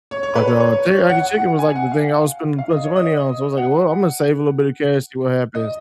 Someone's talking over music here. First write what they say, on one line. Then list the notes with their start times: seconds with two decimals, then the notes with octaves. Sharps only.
like, uh teriyaki chicken was like the thing I was spending plenty of money on, so I was like, "Well, I'm gonna save a little bit of cash, see what happens,"
0.11 C#5
0.23 C#5
0.35 B4
0.47 C#5
0.60 C#5
0.72 C#5
0.85 C#5
1.09 F#5
1.34 F#5
1.59 G#5
1.76 F#5
1.92 F5
2.59 F5
2.71 D#5
2.84 C#5
2.96 D#5
3.58 F#5
5.55 D#5